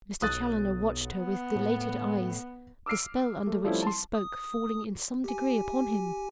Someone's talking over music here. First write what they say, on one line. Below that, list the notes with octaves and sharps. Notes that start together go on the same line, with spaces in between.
Mr. Challoner watched her with dilated eyes, the spell under which she spoke falling in some degree upon him.
B1 D#6 F#6 A6
B3
A2
D6 E6 F6 C7 D7
A3
F3 G3 A3 C4 C#4 E4
A5 C6
D#6
G4 G#5